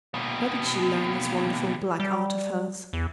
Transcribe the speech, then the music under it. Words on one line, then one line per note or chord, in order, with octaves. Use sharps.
"Where did she learn this wonderful black art of hers?"
D#2 B2
G3
E2